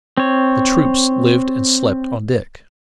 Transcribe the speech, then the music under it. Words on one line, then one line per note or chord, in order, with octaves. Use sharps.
The troops lived and slept on deck.
C4 C#5